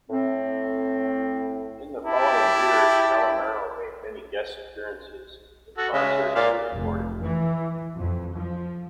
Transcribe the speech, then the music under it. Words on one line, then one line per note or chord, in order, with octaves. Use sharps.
In the following years, Calamaro made many guest appearances in concerts and recordings.
A2 C4
E4 G4 A5
F#4 A4
C#3 G#3 E5
A#2 D5 F5 C6
F1
E3
F2
F3